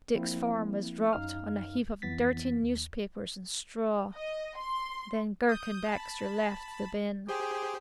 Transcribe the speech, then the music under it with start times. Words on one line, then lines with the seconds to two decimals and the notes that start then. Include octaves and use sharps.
Dick's form was dropped on a heap of dirty newspapers and straw. Then Girk and Baxter left the bin.
0.15 F3 A#3 C4 E4
1.13 F#2 D#4 F5 F6
2.02 F2 E3 B3 A6 B6
2.63 D#2
4.14 D#5
4.56 C6
5.49 D#6 G6
5.89 A5 B5
7.29 G4 G#4 C5 G5